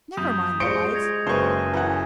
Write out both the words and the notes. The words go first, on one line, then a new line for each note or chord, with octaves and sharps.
Never mind the lights.
F#2 D#6 G6 F7
G3 G#3 F4 C5 C#6 A#6 C#7 D7
G#6 A#6 F7
F#1 B4 C5 A5 C#6
E3 F#5 G#5 A#5 G#6